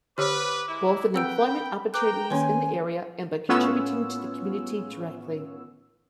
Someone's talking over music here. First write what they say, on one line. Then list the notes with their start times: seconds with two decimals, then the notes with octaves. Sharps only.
Both in employment opportunities in the area, and by contributing to the community directly.
0.18 D3 B3 G4 B4 C#5 D6 E6 F6
0.68 G#3 E4
1.14 C4 B4 F#5 G5 E6 D7
1.48 B5
1.94 B4 G5 A#5 D6 F#6
2.30 D#3 A#3 C#4 B4 C#5 G#5 C6
3.49 A2 B3 C#4 F4 C#5 E6